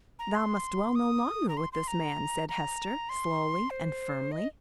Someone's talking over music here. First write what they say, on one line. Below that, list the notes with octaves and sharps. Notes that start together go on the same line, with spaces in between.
"Thou must dwell no longer with this man," said Hester, slowly and firmly.
A#5
C6
D#6
A#5
C6
C6
A#5
A#5
C6
C5
D#5